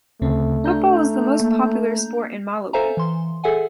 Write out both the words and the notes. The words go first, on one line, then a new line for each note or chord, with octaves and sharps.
Football is the most popular sport in Malawi.
D2 C#3 A3 C4
D4 A#5 G6
A#3
A4 C5 E5 F5 G#5 A#5
E3 C6
G#4 A4 E5 F#5 G#5